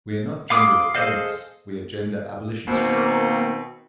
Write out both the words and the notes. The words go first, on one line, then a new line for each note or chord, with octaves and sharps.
We are not gender reformists-we are gender abolitionists.
F5 B5 C6 D6 D#6
G#4 A4 C5 D#5 F5
B2 D#3 A#3 C4